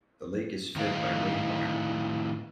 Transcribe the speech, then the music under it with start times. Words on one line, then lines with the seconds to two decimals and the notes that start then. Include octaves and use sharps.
The lake is fed by rain water.
0.76 A2 D#3 D#4 E4 F5 G5